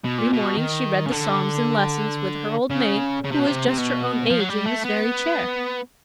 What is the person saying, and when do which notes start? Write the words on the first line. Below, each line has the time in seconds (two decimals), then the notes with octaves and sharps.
Every morning she read the Psalms and Lessons, with her old maid, who was just her own age--in this very chair.
0.04 B2
0.18 A#2
0.33 B2
0.58 D#3
1.06 C#3
1.11 D3
2.71 C#3
3.25 C#3
3.32 C3
3.39 B2
3.47 C3
3.68 C3
3.78 B2
4.31 F3
4.40 F#3
4.49 G3
4.66 A3
4.84 B3